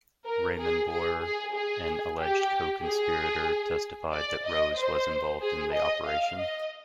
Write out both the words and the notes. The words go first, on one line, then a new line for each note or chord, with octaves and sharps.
Raymond Boyer, an alleged co-conspirator, testified that Rose was involved in the operation.
A#4
G#4
G#4
G#4
G#4
G4
G#4
D5
D#5
C5
G#4
D#5
F5
D#5